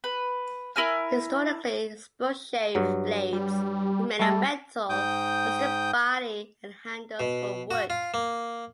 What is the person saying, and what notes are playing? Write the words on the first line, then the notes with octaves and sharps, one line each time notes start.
Historically, spokeshave blades were made of metal, whilst the body and handles were wood.
B4
E4 A#4 G#5 F6
G2 F#3
G3
G3 A3 A4
G#2 G5 D#6 G6
B2
F#4
F4
A#3